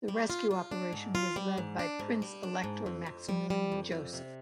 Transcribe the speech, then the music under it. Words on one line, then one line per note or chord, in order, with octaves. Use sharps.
The rescue operation was led by Prince-Elector Maximilian Joseph.
G3
F4
F4
D4
G#2
F4
G3
G#2
D4
G#2
G3
D4
G#2
F2
F2
G3
G3
F2
F2
C3